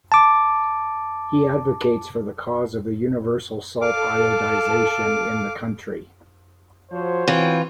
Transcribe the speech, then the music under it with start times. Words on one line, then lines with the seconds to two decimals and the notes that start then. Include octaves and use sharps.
He advocates for the cause of the universal salt iodization in the country.
0.12 A5 D6
3.81 A4 F5 D6
6.92 F3 F#4 C5 C#5
7.28 E3 C4 F4